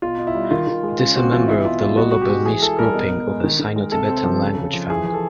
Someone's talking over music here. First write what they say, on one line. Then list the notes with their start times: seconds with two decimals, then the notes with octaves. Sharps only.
It is a member of the Lolo-Burmese grouping of the Sino-Tibetan language family.
0.02 B2 F4
0.18 B2
0.27 E4
0.34 G3
0.51 D#3 F4
0.67 D#3
0.83 G#3
0.99 C#3 F4
1.16 C4 F#4
1.32 E3 F4
1.48 B2 E4
1.65 B2 F4
1.81 G3 F4
1.97 B2 F#4
2.11 B2 F#4
2.21 G4
2.29 G#3
2.46 E3 G#4
2.62 E3 A4
2.79 G3 A#4
2.95 B2
3.11 B2
3.27 G#3
3.44 D#3
3.59 D#3
3.76 G#3
3.92 C3 A4
4.09 C4
4.24 F3
4.41 C#3
4.57 C#3
4.73 F3
4.90 E3 G#4
5.06 E3
5.14 A4